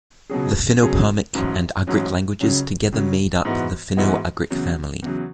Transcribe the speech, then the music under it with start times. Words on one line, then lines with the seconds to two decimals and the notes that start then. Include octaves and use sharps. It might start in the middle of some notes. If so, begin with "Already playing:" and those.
The Finno-Permic and Ugric languages together made up the Finno-Ugric family.
0.30 C#2 B2 F#3 C#4 G#4
0.82 C#2 B2 F#3 C#4 G#4
1.35 A1 G#2 F#3 C#4
1.87 A1 G#2 F#3 C#4
2.40 C#2 C#3 F#3 C#4
2.92 C#2 C#3 F#3 C#4
3.45 G#2 E3 G#3 B3 F#4
3.97 G#2 E3 G#3 B3 F#4
4.51 E2 C#3 F#3
5.03 E2 C#3 F#3